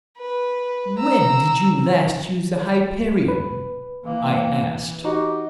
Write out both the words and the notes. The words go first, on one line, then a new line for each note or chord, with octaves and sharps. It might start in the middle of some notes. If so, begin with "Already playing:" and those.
"When did you last use the Hyperion?" I asked.
B4
A#5 E6
B4
E3 A#3
D#4 F#4 G4